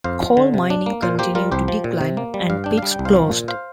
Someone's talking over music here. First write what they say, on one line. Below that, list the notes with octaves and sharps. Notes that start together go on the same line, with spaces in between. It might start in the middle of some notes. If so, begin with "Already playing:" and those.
Coal mining continued to decline and pits closed.
F2 C5 F5
F3
D3
C3
D4
A#3
A#2 C5 F5
A#3 G4 C5
G3 F4 A#4
C2 G4 C5
F3
A#2
C3
A#3
G3
G2 F5
D4 G5
G3 F5
G5
C2
C5 F5
F3
A#2
C5 F5